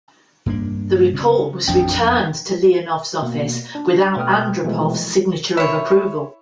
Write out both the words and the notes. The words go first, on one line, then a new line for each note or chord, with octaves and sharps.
The report was returned to Leonov's office, without Andropov's signature of approval.
G2 A#3 D4
C#3 C4 C#4
A1 F2 F3 D4 G5
B2 A#3
D4
B2 A3 B4 G5 D#6 F6
B2 E3 F3 G#3 A3
E4 C#5